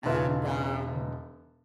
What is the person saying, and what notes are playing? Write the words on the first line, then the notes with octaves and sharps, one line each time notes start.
and, um
E1 D#4 F4 B4 E5